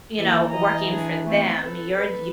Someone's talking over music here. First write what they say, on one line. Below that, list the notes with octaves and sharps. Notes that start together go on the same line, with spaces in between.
you know, working for them. You're you're
E3 A#3 A4
D#5 A#5
D4 G#4
A3 B3 C4
A4 B4
B4